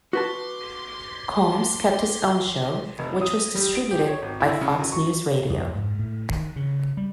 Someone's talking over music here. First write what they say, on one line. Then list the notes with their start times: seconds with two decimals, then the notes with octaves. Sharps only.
Colmes kept his own show, which was distributed by Fox News Radio.
0.13 F#4 B4 A5 C6 D6
2.99 F1
3.21 D#6
3.55 G3
3.75 D7
3.91 G4
4.07 C#5
4.22 G#1
4.40 E4
4.61 C#3
4.79 F#2
4.92 C#6
5.49 F2
5.75 G#2
5.99 A2
6.30 D#3
6.56 C#3
6.97 G3